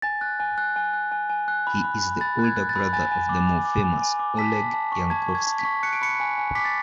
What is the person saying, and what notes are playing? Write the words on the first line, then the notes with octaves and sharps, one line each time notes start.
He is the older brother of the more famous Oleg Yankovsky.
G#5 A6
F#6
G#5
F#6
G#5
F#6
G#5
G#5
F#6
B5
B5
B5
B5 A6
F#6
G#6
F#6
A6
B5
G#5 A6
G#5
D6
G#5
D6
G#5
G#5
D6
A5 B6
A5
A5
C#6
A5 G#6
C#6
G#6
A5
B6
C#6
F#6 C#7
D7
B5 C#7
G#5
G#5
D6 B6
A6